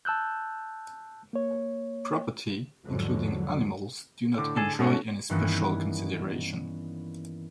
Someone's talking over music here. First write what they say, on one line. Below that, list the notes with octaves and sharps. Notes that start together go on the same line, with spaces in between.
Property, including animals, do not enjoy any special consideration.
A5 E6 F#6 G6
A#3 C#5
E2 G#2 D3 F3 F#3
A2 D3 D6
G#4 A4
B2 A3 C#4 F#4
G2 D#3 E3 A#3 B3 C#4